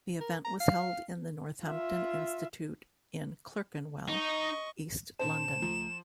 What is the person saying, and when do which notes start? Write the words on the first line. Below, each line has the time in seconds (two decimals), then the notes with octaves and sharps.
The event was held in the Northampton Institute in Clerkenwell, East London.
0.21 A#4
0.45 A#5
0.60 F5
1.65 F4 E5
4.09 D#4 D#5 C#6
5.19 A#2 C#4 C5 A5 E7
5.62 C#2 F3 A3 A#5